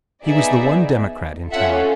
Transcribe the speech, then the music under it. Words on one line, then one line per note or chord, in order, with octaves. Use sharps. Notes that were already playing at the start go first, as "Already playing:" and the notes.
He was the one democrat in town.
B3 D#4 G#4 D5 E5
C#4 F4 A4 E5 F#5